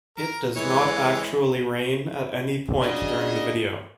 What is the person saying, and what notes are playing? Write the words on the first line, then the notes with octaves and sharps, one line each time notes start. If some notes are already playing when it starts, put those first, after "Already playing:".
It does not actually rain at any point during the video.
A#4
E3 G#3 C#5
C#3 F#3 G#3 D4 D#5